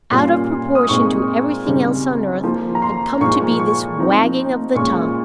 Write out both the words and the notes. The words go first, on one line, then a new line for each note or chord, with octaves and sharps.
Out of proportion to everything else on earth had come to be this wagging of the tongue.
A#2 G3 C#4 F4 C6
D#6
A#2 G#3 C4 D#4 C#6
C#3 G3 C4 D#4
F3 A#3 F4
A#5
C6
A#2 F3 G#3 D#4 C#6
C#6
F3 C4 D#4
A#2 G#3 C#4 F4 C#6